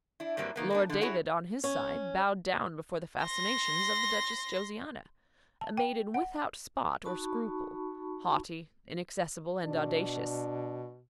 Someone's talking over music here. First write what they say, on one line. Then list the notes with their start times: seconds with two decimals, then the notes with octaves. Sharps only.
Lord David, on his side, bowed down before the fascinations of the Duchess Josiana--a maiden without spot or scruple, haughty, inaccessible, and audacious.
0.20 D4 E4
0.37 G2 F#3 G3 A#3 C4
0.56 D#3 A#3 B3
0.70 A#3 B3 D4
0.90 D3 D#4
1.01 E4 F#4 G#4 C#5 F#5
1.64 C#4
3.24 C6 A#6
5.61 A5
5.77 G5
6.14 F#5
7.04 D#4 F#4 A5 B5 C#6
9.65 B2 D4